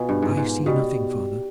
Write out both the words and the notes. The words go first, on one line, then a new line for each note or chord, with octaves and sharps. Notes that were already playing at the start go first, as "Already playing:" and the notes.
"I see nothing, father."
Already playing: B2 B3 F4 B4 F5 G#5
G2
G#2
G#2
B2 G4 D5 G5